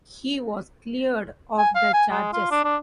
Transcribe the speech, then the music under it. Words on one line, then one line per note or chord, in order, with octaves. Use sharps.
He was cleared of the charges.
G#5
F5
G#5
G#3
F4
D4
D4